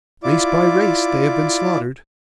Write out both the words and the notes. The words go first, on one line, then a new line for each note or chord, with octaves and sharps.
Race by race they have been slaughtered.
E4 F4 D5 D6